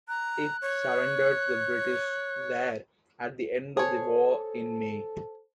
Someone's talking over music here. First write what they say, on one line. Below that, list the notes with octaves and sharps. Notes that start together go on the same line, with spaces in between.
It surrendered to the British there at the end of the war in May.
A#5 F#6
C#5
G#4 A4 C5 C#5 A5